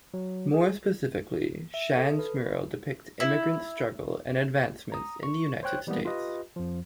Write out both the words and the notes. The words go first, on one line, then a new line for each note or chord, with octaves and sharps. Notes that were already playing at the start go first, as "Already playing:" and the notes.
More specifically, Shahn's mural depicts immigrants' struggle and advancement in the United States.
F#3
G#4
E5
A4
B4
E4
A#5 D#6
C#6
C5 C#5 G5 F#6
E3 G3 G#3 A#3 B3
F4 G4 B4 D#5
F2 F3